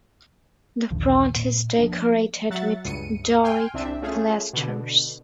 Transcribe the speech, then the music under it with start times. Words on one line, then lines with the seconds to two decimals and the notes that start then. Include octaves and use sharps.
The front is decorated with Doric pilasters.
0.91 A#1 D#2 D3 F3
1.36 A#2
1.79 F3 A#3 D4
2.50 F#3 E5 F#5 A6
2.85 C#2 G2 C#7 D#7
3.44 G5 G#5 C6 F6
3.74 C2 C4 D4 E5
4.02 A3 C#4 F4 G#4
4.53 B2 D3